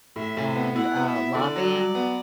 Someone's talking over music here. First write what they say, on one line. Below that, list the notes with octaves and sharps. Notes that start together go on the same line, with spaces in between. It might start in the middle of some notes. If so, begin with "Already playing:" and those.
and, uh, lobbying.
A2 E5
A2
E5
B3
E4 F#5
B3
E5
E4
D3 D5
F#3
F#3
B3